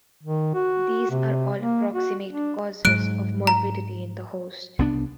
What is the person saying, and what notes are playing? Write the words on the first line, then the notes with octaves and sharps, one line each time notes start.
These are all proximate causes of morbidity in the host.
D#3
F#4
C3
A#3
F#4
D4
G#2 F#3 F#6 D7
A#5
C2 B3 D4